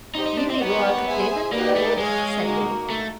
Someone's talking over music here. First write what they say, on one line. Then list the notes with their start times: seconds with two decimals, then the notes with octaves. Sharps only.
"We may go out to play then for a bit?" said Willie.
0.15 D#4 G4 C5 D#5
0.26 D#4
0.37 D4
0.50 C4
0.60 B3 D#4 G4 A#4 C#5 F#5
1.07 G#4 C5 E5 G#5
1.53 A#3 B3 D#4 G4 B4 D5
1.76 A3
1.98 G#3 G#4 C#5 F5 G#5
2.44 A#3 D#4 F#4 A#4
2.90 A3